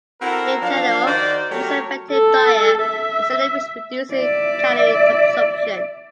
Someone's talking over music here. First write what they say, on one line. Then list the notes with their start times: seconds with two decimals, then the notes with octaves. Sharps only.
In general, the most effective diet is any which reduces calorie consumption.
0.21 C4 E4 F#4 A4 A#4
0.61 F3 F#3 D4 F5
1.06 D#3 F#4 C5 D5
1.50 F#3 A3 G4 A#4 C#5
2.11 A4
2.83 E5
4.13 D5 E5